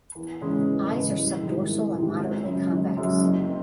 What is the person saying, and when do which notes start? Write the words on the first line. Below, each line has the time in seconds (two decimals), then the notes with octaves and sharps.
Eyes are subdorsal and moderately convex.
0.15 E2
0.41 C#3 E3 G#3 C#4
0.67 E2
0.92 C#3 E3 G#3 C#4
1.17 C2
1.43 C3 D#3 G#3
1.68 C2
1.94 C3 D#3 G#3
2.20 G#1
2.45 F#2 C#3 G#3 C#4
2.71 G#1
2.97 F#2 C#3 G#3 C#4
3.22 F#1
3.48 C4